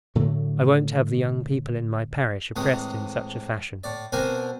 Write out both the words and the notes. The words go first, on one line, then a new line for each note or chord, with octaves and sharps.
I won't have the young people in my parish oppressed in such a fashion.
A2 D3 F#3 A3
A2 C3 E3 G#3 D#6
A2 D5
B2 C4 D4 A#4 C5 G#5